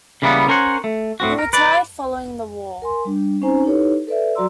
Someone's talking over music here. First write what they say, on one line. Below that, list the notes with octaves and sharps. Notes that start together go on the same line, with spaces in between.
He retired following the war.
C#3 E3 G3 A#3 B3
C#4 A#4 C5 C#5 F#5
A3
A2 C4 F#4
A#4
B4 D5
A#4 G#5 C6
G3 D4
C4 C#4 D#4 C5 G#5 A#5
D#4 E4 G4 A4 B4 C#5
A4 B4 D5 E5
F#3 F#4 D5 A#5 C6 E6